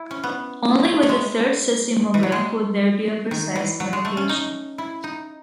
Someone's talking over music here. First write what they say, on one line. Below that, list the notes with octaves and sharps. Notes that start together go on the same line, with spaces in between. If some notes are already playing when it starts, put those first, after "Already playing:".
Only with a third seismograph would there be a precise location.
Already playing: E4
C#4
B3
A3
A3
G#3
E3
F#3
G#3
D#3
E3
F#3
G#3
A3
C#4
D#4
E4
D#4